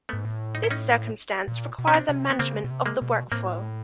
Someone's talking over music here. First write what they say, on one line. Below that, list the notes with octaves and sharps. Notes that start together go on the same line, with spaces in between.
This circumstance requires a management of the workflow.
G#2 A3 B3
A2
D#4
E4
C#4 D#4
A#2
B2
C#4
C4 D4
C3
B3
C#3 A#3 C4
B2
C3
G#3 A#3
B2
A2 A#3 C4